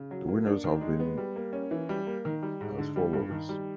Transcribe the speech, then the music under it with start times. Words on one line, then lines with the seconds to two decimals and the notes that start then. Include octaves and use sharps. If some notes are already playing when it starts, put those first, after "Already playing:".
The winners have been as follows.
Already playing: C#3
0.11 F#3
0.28 A#3
0.46 D4
0.64 D#3
0.81 G#3
1.00 B3
1.18 G3
1.36 A#3
1.53 C#4
1.71 E3
1.89 G3
2.07 A#3
2.25 D#3
2.42 G3
2.61 G#2
2.79 D3
2.96 G3
3.13 G2
3.31 D#3
3.49 G3